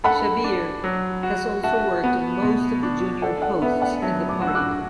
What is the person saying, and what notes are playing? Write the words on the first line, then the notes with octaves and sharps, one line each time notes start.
Shabbir has also worked on most of the junior posts in the party.
A4 F#5 B5
D4
F#3
F#4
F#4 E5 A5
B3
B2
D4
A4 D5 F#5
D5 F#5
B3 B4 E5
D5 F#5
F#3 E5 A5
A5 D6
F#4
E6
D6 F#6